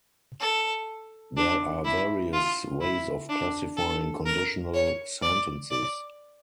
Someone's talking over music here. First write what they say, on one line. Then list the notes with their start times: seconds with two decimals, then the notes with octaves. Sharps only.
There are various ways of classifying conditional sentences.
0.40 A4
1.37 D4
1.85 E4
2.33 F4
2.81 E4
3.29 D4
3.77 A4
4.26 A#4
4.74 C#5
5.22 D5
5.71 D5